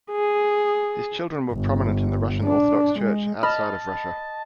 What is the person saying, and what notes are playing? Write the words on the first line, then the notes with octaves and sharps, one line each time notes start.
His children were prominent in the Russian Orthodox Church Outside of Russia.
G#4
G1
D4
G#3
D#5 A5 B5 F6